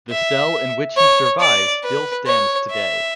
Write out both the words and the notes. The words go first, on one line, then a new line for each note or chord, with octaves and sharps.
The cell in which he survived still stands today.
E5
C#5
D5
B4
C#5
E5